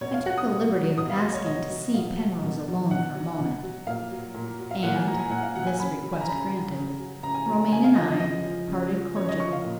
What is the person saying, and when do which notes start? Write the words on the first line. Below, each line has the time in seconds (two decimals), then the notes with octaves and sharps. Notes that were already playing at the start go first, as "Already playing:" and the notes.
I took the liberty of asking to see Penrose alone for a moment; and, this request granted, Romayne and I parted cordially.
0.01 B2 C#5
0.14 F5
0.26 F#3 F#5
0.38 D#6
0.50 B2
0.74 F#3
0.98 B2 D#6
1.10 F5
1.21 F#3 D#5
1.34 C#5
1.46 B2 D#5
1.69 F#3
1.94 B2 F5
2.18 F#3
2.43 B2
2.67 F#3
2.90 B2 F#5
3.14 F#3
3.38 B2
3.63 F#3
3.87 A#2 F5
4.11 F#3
4.35 A#2
4.59 F#3
4.71 F5
4.83 A#2 F#5
4.96 G#5
5.07 F#3 A#5
5.19 G#5
5.31 A#2 F#5
5.43 F5
5.56 F#3 F#5
5.67 G#5
5.80 C#3 B5
6.03 F#3
6.13 G#5
6.21 A#5
6.28 C#3 B5
6.52 F#3
6.76 C#3
6.99 F#3
7.23 C#3 A#5
7.34 G#5
7.46 F#3 A#5
7.72 C#3 G#5
7.84 F5
7.95 F3 D#5
8.08 D#5
8.20 C#3 D#5
8.44 F3
8.68 C#3
8.92 F3
9.16 C#3 C#5
9.29 D#5
9.40 F3 C#6
9.53 F5
9.64 A#2